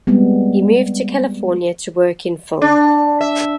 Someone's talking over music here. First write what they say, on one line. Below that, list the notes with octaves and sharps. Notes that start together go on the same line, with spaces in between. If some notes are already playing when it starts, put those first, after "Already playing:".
He moved to California to work in film.
G3 G#3 B3 C4
D4
E5